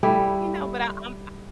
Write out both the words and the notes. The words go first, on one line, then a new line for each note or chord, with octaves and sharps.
You know, but I I'm
G3 A3 E4